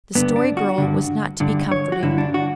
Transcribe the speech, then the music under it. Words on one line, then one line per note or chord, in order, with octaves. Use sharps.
The Story Girl was not to be comforted.
G2 D3 B3
D4
F#4
G2 D3
G2 D3
C#5
F#4
G2 D3 E4
D4
F#4